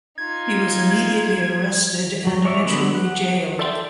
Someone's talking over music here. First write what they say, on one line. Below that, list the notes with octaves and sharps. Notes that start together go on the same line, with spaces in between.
He was immediately arrested and eventually jailed.
D#4 F4 G#6
F#3
G#3 C#5 D5 E5
D3 F#3 G3 B3
F#5
A4 D5 E5 G5 C6